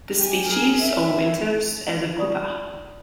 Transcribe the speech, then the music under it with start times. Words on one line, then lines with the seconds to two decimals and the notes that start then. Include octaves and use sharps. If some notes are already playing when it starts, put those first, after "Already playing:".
This species overwinters as a pupa.
0.17 G4 G#5
0.46 G#4 A#4
0.80 E5
2.16 D#4 F4 D5 C#6 D#6